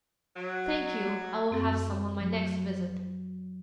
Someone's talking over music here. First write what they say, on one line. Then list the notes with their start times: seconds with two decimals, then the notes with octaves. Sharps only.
"Thank you, I will have some on my next visit."
0.35 F#3
1.51 F#2 C4 A4
2.22 F#3